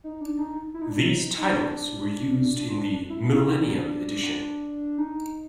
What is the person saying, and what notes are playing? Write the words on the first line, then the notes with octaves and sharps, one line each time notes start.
These titles were used in the "Millennium edition".
D#4
D4
D#4
E4
D#4
D4
D#4
D#4
D4
E4
D#4
D4
D#4